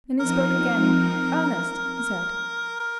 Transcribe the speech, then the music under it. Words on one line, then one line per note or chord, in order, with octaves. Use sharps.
Then he spoke again: 'Ernest,' he said.
F3 C4 D#4 A#4
A#4